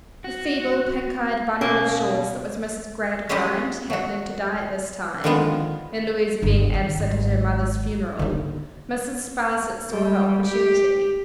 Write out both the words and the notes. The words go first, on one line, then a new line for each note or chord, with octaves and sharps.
The feeble, pink-eyed bundle of shawls that was Mrs. Gradgrind, happening to die at this time, and Louisa being absent at her mother's funeral, Mrs. Sparsit saw her opportunity.
F#4
B2 A#3 C#4
G#3 C#4 E4 F4 G4 D#5
F#3 F#4
D3 D#3 F3 G#3 B3 F4
G1 D2
D#3 C4
G#1
D3 D#4
G3
G4